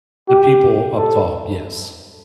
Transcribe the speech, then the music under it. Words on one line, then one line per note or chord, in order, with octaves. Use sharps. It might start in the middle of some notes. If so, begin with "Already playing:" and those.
The people up top, yes.
G4
A4